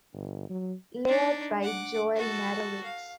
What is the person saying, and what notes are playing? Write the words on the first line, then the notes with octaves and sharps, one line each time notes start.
Layout by Joel Marrowitz.
G1
F#3
D4 D#4
F#5 D6
F#4 A4
F5